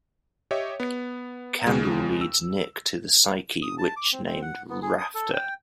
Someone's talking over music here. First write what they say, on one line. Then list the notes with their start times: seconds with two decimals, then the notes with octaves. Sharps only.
Candle leads Nick to the Psyche witch named Rafter.
0.51 G4 C#5 D#5 E5
0.80 B3
1.67 D#2 C#3 G#3
2.21 E6
3.62 D#6
3.78 A5
3.96 D6
4.13 C4
4.26 C4
4.42 F#5
4.70 B3
4.82 G#4
4.98 D#6
5.15 A4
5.33 G5